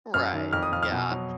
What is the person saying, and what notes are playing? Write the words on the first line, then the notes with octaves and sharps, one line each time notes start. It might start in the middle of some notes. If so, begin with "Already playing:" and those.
Right, yeah.
F#2 F6
D#3
F2 F6
D#6
F3 F6
F6
B2
F#3